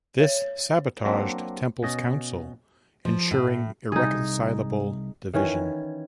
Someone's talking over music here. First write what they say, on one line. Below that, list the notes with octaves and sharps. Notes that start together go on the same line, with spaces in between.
This sabotaged Temple's Council, ensuring irreconcilable division.
C#5
F#3 A#3 C4 D4
B2 C#4 D#5
F3
A2
C2 D#4 G#4
D#3 E3 C#4